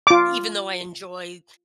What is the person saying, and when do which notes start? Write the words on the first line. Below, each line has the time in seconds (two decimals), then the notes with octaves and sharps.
even though I enjoy
0.07 F4 D6